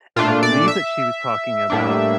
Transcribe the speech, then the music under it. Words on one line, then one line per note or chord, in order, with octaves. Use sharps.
and I believe that she was talking about
A#2 A3 D4 F4
D5
E5
A2 G3 A#3 D4